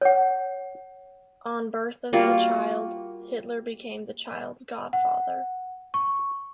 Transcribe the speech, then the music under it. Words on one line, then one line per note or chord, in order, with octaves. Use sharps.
On birth of the child, Hitler became the child's godfather.
C#5 F#5
G3 A#3 F4 F#4
F#5
C#6